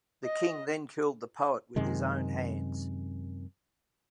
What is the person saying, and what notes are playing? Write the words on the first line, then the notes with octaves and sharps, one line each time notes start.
The king then killed the poet with his own hands.
D#5
F#2 C3 D#3 G#3